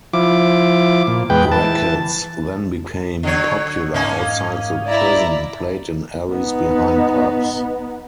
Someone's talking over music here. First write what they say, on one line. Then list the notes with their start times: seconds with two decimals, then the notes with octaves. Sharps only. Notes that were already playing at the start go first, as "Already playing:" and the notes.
Rackets then became popular outside the prison, played in alleys behind pubs.
0.13 F3 E4 D6
1.07 A#2
1.30 E2 G#3 B4 G5
1.52 E3 A5
3.23 D3 F#3 C#5
3.94 G#2 A#3 C#4 D#4 D#5 F5
4.87 E4 D5 A#5
6.32 B3 D#4